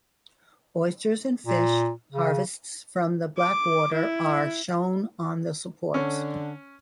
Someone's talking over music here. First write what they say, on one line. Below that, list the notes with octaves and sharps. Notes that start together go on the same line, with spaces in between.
Oysters and fish, harvests from the Blackwater, are shown on the supports.
A#2
C#3
D6
E4
D3 C#4